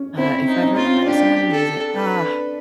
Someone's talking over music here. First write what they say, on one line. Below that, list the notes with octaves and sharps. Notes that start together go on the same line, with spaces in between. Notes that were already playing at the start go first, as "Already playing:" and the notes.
Uh, if I've ever met someone amazing ah,
Already playing: C#4
C4 E4
D#4
C#4
F4
D4 G4
A4
B4